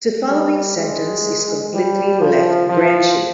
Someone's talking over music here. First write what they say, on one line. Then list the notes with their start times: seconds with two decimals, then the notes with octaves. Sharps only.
The following sentence is completely left-branching.
0.30 G3
0.77 G#3
1.73 G3
2.21 F3
2.70 F3